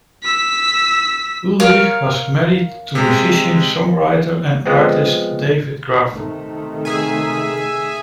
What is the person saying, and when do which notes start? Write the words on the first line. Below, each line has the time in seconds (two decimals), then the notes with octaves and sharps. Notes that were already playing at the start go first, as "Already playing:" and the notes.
Ulrich was married to musician, songwriter and artist David Graff.
0.24 E6 B6
1.60 A#4 C#5 F5
2.95 C3 G#3
4.66 F3 G#3 B3 C4
6.13 C3 D#3 A3
6.85 G#4 E5 G#5